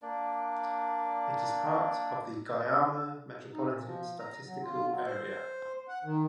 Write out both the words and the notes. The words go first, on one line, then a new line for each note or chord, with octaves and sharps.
It is part of the Guayama Metropolitan Statistical Area.
A#3 D4 D5
D#4
A#2
F3
A#5
F#3
F4
F#3
C5
F#5
D#3